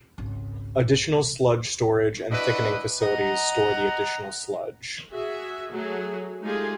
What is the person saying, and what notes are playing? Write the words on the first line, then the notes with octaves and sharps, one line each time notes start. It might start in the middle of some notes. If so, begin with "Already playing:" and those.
Additional sludge storage and thickening facilities store the additional sludge.
G#1 C#2
D4 E4 F#4 B4 D#5
D#5 F#5 A#5
F#4 G#4 E5
F#3 A3 F#4 G#4
G#3 A3 D#4 F4 G4 G#4